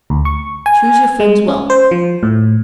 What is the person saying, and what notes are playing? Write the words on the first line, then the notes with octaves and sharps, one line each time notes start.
Choose your friends well.
D2
C#6
G#5
G#3
C#4
C5
F3
A2